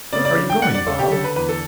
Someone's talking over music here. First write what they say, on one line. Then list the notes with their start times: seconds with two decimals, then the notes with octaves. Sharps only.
"Where are you going, Bob?"
0.13 C#3 D5
0.25 D5
0.37 D4
0.50 G5
0.62 D4 F#5
0.74 D5
0.87 C#3 A4
0.99 G4
1.12 D3 A4
1.24 B4
1.36 E2 B4
1.49 A4